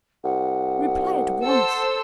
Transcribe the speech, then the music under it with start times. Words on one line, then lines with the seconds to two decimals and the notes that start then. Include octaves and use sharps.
Reply at once.
0.24 C2 F#5
1.46 A4 C5 E6